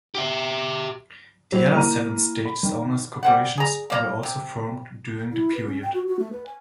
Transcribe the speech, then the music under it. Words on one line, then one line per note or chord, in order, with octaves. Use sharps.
The other seven stages' owners' corporations were also formed during the period.
G4 E5
F#3 C5 F7
E3 A#3 A#5 D#7
B5
D#3
G3 C5 F#5
G#4 A#5
A#3 D5 A#5
C3
E4
B4
C#4
G5
F#4
F#4
A3
B4
G#5